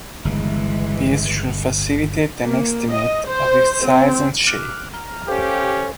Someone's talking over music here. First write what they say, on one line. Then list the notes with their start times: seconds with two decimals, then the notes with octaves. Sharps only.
This should facilitate an estimate of its size and shape.
0.25 G1 C#3 E3 G#3
2.42 A#3
2.91 D#5
3.26 C5
3.84 C4
4.47 D6 F6 F#6
4.93 A#5 F6
5.28 C#4 G4 A4 C5 F5